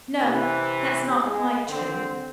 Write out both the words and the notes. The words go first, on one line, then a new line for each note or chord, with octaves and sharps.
No! that's not quite true.
C3 E3
G#3
D3 C4